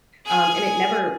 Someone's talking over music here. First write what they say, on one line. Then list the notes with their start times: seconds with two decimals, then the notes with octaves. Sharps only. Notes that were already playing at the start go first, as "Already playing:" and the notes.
Um, and it never
0.25 G#4 G#5